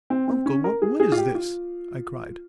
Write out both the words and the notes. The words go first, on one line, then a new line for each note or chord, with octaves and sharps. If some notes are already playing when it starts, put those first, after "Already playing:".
"Uncle, what wood is this?" I cried.
C4
C4
C#4
A#4
G#4
G#4
F4
G4
F4